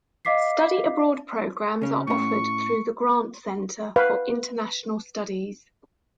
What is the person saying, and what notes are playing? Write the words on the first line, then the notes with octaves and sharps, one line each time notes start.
Study abroad programs are offered through the Grant Center for International Studies.
D#5 F5 D6 B6 C7
C#3 C#4
A2 C#4 C#6
B4 F5